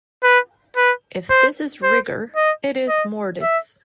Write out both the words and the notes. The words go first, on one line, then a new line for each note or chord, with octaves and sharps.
If this is rigor, it is mortis.
B4
B4
C5
C5
D#5
D#5
E5